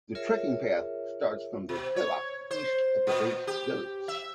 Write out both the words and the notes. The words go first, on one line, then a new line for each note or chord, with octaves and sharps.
The trekking path starts from the hillock east of the base village.
F4 G#4 A#4 C#5 E5
B2
C#5
C5
A#2
G4
E5